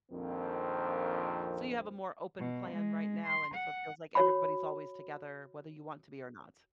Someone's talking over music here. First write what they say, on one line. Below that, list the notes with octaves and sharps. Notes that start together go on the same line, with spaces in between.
So you have a more open plan right now, and so it feels like everybody's always together, whether you want to be or not.
A#1 F2 D#3 C4
B2
G#3
C6
F#5
F#4 C#5 B5